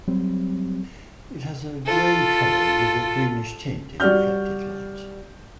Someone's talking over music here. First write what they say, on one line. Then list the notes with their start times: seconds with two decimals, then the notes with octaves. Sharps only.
It has a gray color with a greenish tint in reflected light.
0.07 F#3 G3 C4
1.86 F4 A4
4.00 G3 F#4 D5 F6 G6